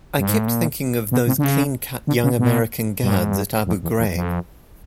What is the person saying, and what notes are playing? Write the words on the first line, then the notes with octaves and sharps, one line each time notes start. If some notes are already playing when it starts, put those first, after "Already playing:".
I kept thinking of those clean-cut young American guards at Abu Ghraib.
G2
G#2
A2
A#2
B2
C3
D3
C#3
D3
C#3
B2
G2
G#2
G2
F2
E2
E2
F2